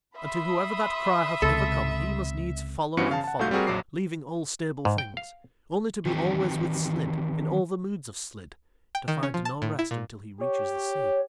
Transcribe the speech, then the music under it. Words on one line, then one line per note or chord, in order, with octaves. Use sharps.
And to whoever that cry hath ever come he must needs follow and follow, leaving all stable things; only to be always with Slid in all the moods of Slid, to find no rest until he reaches the sea.
E5 B5 C6 D#6
C#2 C3 A4
G2 E3 B3 C#4 F#4 C#7
C#3 F5 A5
F#5 A5
C2 G#2 A3 F#4 F5 G6
G3 C4 F#4 G#4 A#4
A#1 F2 F#3 D6 C7
G#2
G5
F5
D#3 E3 C4 F#4 G4
G5
D#3
C#4
F3
A5
A2
E4
A#2
G4 C#5